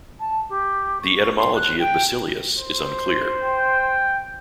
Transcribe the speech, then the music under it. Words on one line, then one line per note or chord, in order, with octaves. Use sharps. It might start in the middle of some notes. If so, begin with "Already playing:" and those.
The etymology of "basileus" is unclear.
A5
G4
C#6
C6
F#6
G5
C5
G5